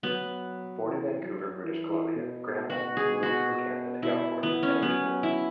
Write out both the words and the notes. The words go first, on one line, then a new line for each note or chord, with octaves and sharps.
Born in Vancouver, British Columbia, Granholm moved from Canada to California at age four.
F#3 B3
E3
F#3
E3
E3
B2
F#4
G#4
F#4
B2 E4
E3 B3
C#4
F#3 B3
E4